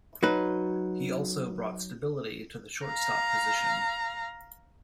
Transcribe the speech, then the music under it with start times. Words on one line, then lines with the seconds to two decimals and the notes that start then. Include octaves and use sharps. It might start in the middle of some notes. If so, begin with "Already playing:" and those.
He also brought stability to the shortstop position.
0.23 F#3 D#4 B4
2.85 F5 A#5